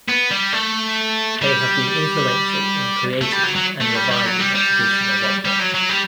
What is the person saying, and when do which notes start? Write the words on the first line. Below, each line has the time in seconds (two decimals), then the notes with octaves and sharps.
They have been influential in creating and reviving a tradition of opera.
0.08 B3
0.31 G3
0.52 A3
1.42 G3
3.21 A3
3.32 G3
3.43 F#3
3.55 F#3
3.80 A3
3.95 G3
4.11 G3
4.25 F#3
4.40 G3
4.55 G3
5.45 G3
5.59 F#3
5.74 F#3
5.89 G3